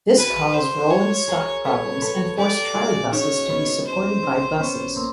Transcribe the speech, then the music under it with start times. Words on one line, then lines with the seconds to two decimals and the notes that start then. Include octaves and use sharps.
This caused rolling stock problems and forced trolleybuses to be supported by buses.
0.17 F#4 G#4 B4
0.54 C5
0.91 C#5
1.27 G#4 A#4
1.65 A4 B4 C#5
2.02 A4 B4
2.38 G4 A4 D5
2.75 F#4 G#4
3.12 C#4 D#4 C#5
3.49 B3 C#4
3.86 C5
4.23 C4 D4
4.60 B3 C#4
4.96 A#3 C4